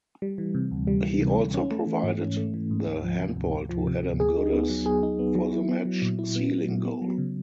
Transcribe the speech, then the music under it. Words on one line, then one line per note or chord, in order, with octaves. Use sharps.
He also provided the handball to Adam Goodes for the match sealing goal.
G3
E3
C3
D2
G3
E3
C3
D2
C#4
A3
E3
G#2
C#4
A3
E3
G#2
D2
F3
C3
D2
D2
F3
C3
D2
G#4
D#4
B3
F#3
G#4
D#4
B3
F#3
E4
B3
F#3
A#2
E4
B3
F#3
A#2
B3
F#3
C#3